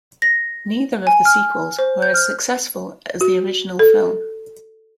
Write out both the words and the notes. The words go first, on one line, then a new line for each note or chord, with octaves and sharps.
Neither of the sequels were as successful as the original film.
A#6
G#5
F6
C5
G6
F6
F#4
A4